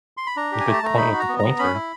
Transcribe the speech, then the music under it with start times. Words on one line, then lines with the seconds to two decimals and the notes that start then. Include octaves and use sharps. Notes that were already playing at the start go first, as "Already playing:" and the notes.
Good point with the pointer.
0.17 C6
0.27 B5
0.36 D4 A#5
0.52 G4
0.60 G#5
0.67 A3
0.73 A5
0.83 A3 A#5
0.98 D#4 B5
1.13 F#4
1.19 A#5
1.29 B3
1.39 A#5
1.44 B3
1.59 C#4 B5
1.74 E4